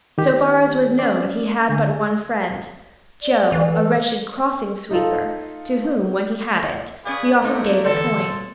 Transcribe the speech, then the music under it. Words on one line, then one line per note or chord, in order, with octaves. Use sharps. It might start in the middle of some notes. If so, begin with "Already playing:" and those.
So far as was known, he had but one friend--Joe, a wretched crossing sweeper, to whom, when he had it, he often gave a coin.
D#3 G4
C#4 D5
D3 G#5
D5
E3
A4
D#4 F4 A4
C#4 G#4 B4 D5 F5
A2 A3 A#3 C4 D#4
D3 E3 G3 C4 A4 C5
A#2